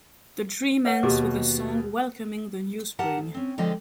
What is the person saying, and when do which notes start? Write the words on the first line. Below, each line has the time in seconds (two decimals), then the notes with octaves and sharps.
The dream ends with a song welcoming the new spring.
0.85 B4 C#5 F#5
1.03 D#2 B2 G4 G#4 D6
2.99 G4 A#4 F#5 A5
3.18 D2
3.34 C4 C#4
3.58 D3 F3 G#3 D5 D#5 G5